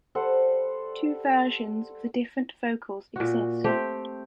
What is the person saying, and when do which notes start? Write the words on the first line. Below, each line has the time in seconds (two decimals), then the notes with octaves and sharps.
Two versions with different vocals exist.
0.15 G3 A4 C5 F#5
3.16 A#2 F#4
3.64 A3 C4 G4